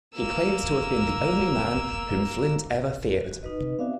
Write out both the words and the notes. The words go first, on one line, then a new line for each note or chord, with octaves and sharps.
He claims to have been the only man whom Flint ever feared.
A#3 E6
F#4
D#4 B4 D#5
C3
B3 C4 F#4 D5 E5 F5